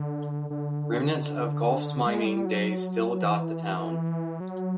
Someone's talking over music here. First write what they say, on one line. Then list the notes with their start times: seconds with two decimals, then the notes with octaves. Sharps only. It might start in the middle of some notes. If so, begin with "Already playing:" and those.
Remnants of Goffs's mining days still dot the town.
Already playing: D3
0.50 D3
2.06 G#3
2.26 G3
2.45 F#3
3.23 E3
4.40 F#3